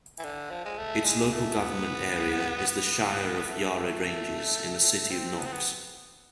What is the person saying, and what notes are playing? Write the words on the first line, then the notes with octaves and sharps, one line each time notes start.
Its local government area is the Shire of Yarra Ranges and City of Knox.
E3
D3
F3
G#3
A3
G#3
A3
B3
B3
A3
C4
B3
C4
B3